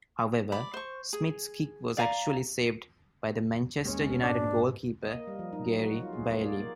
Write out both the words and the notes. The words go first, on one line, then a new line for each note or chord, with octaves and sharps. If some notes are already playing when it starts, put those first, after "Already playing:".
However, Smith's kick was actually saved by the Manchester United goalkeeper, Gary Bailey.
D5 B5
C5 C#6
G#4
D5 F5 G#5 A#5
D#2 G#3 C#4
G#2 B2 D4
D#5
A#3
G3
F3
D#4
F#3
F#4
F4
G#4
A#3
D5
A#3